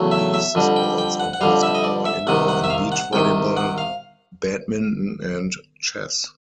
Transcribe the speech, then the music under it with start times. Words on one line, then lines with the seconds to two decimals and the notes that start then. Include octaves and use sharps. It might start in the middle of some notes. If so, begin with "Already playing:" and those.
These sports are basketball, indoor and beach volleyball, badminton, and chess.
Already playing: E2 C#3 F#3 A3
0.11 E5
0.34 E5
0.55 F2 D3 G3
0.76 G5
0.98 G5
1.20 F#5
1.33 F#5
1.41 F2 D3 G3 F5
1.63 E5
1.75 D#5
1.84 D5
2.05 E5
2.27 C2 C3 D#3 F#5
2.48 F#5
2.64 E5
2.70 F5
2.92 F#5
3.13 C2 C3 D#3 G5
3.57 F#5
3.78 F5